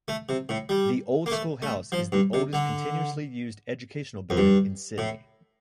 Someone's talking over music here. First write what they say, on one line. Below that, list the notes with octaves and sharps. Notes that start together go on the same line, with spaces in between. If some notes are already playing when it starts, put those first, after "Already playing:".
The Old School House is the oldest continuously used educational building in Sydney.
A3
C3
A2
G3
A#3
A3
A3
F3
G2
C3
D3
F2
G2
A2